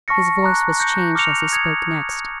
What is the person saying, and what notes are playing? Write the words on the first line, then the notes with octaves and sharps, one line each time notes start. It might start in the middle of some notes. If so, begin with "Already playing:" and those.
His voice was changed as he spoke next.
A5 C#6 F6 A#6 C#7
A#5 D6 F#6
G6 A#6 C#7
D6 F6 A#6 C#7 F7
D#6 G#6 C#7 F7